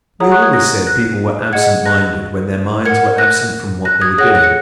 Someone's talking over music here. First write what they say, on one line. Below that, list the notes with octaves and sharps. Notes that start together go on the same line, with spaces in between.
We have always said people were "absent-minded" when their minds were absent from what they were doing.
G#4 C#5 F#5 A#5 D#6
C#6 F#6
D#6 G#6
F#6 A#6
F#6 A#6
G#4 D#5 F#5 G#6 C#7
F#6 A#6
A#4 F#5 G#6 C#7
F#6 A#6
F#6 A#6
D#6 G#6
G#4 C#5 F#5 F#6 A#6
F#6 A#6
C#7